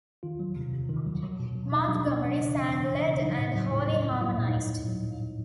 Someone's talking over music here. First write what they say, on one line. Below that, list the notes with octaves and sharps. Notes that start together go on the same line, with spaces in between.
Montgomery sang lead and Holly harmonized.
D#3 F4
F#3
C3
C3
D#3
F#3
F#3
B2
F#3
B2 D#4
F#3 D4
B2 C#4
E3 D4
C#3
E3
C#3
E3
C#3
F#3 D#4
A2
F#3
A2
F#3
A2
F#3 E4
A#2
D#4
F#3
A#2
F#3